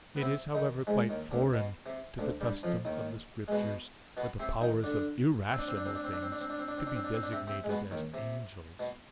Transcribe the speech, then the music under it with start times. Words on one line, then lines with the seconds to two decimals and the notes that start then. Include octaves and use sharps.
It is, however, quite foreign to the custom of the Scriptures for the powers of irrational things to be designated as angels.
0.16 B3
0.21 C3 C4
0.55 D#3 D#4
0.87 G#2 G#3
1.09 D#2 D#3
1.31 D2 D3
1.53 B2
1.86 C3
2.19 D2 D3
2.41 G2 G3
2.63 F2 F3
2.85 D#2 D#3
3.48 G#3
3.52 B2 B3
4.17 B2 B3
4.40 C3 C4
4.61 D#3 D#4
4.84 D3 D4
5.50 C4
5.59 D4
5.68 C4
5.77 D4
5.85 C4
5.95 D4
6.04 C4
6.13 D4
6.22 C4
6.32 D4
6.41 C4
6.50 D4
6.59 C4
6.68 D4
6.77 C4
6.87 D4
6.95 C4
7.04 D4
7.14 C4
7.23 D4
7.32 C3 C4
7.47 C3 C4
7.64 G#3
7.69 B2 B3
7.91 D#2 D#3
8.14 C3
8.80 B2